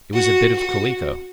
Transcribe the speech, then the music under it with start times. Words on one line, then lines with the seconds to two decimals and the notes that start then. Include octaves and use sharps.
It was a bit of calico....
0.14 F#4
0.55 F#4